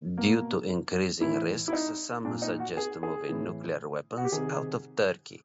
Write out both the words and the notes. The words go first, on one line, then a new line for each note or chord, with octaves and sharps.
Due to increasing risks some suggest moving nuclear weapons out of Turkey.
B2 A#3
A2 E3 E4
E4
D#4
A#2 D4
D#4
F#4
G#4
G#4
A2 E3
F#4
G4
C3 D#3 G#4